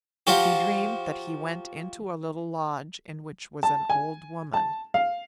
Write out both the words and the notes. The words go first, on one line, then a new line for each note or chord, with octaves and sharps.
He dreamed that he went into a little lodge in which was an old woman.
F3 F#4 G4
A5
G#5
A5
F5